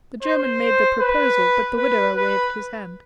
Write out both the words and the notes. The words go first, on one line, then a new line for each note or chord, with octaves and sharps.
The German made the proposal, but the widower waved his hand.
C5
B4
B4
B4